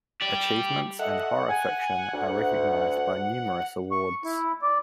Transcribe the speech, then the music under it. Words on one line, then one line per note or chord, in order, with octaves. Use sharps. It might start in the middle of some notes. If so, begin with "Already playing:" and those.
Achievements in horror fiction are recognized by numerous awards.
G4 D5
A4 D#5 E5 F#5
G#5
D2
C#6
E4
D5